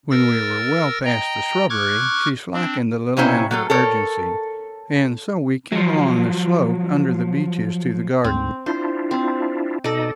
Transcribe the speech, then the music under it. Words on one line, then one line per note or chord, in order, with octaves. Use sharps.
When we were well past the shrubbery, she slackened a little in her urgency, and so we came along the slope under the beeches to the garden.
A#4 E6 A6 A#6
D#5 G5 A#5
C#6 D6 F6 F#6 G#6
C4 D4
C3 A#3 C#4 E4 C5 C#5
F#3 A3 A4
A4 A#4 C#5
F3 F#3
D2 G#2 C4
D4 E4 F4 C5
C4
B2 D#4 A4 D5 D#5